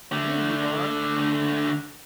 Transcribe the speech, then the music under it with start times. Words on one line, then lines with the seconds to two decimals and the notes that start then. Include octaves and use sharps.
"Here you are!"
0.12 D3 A3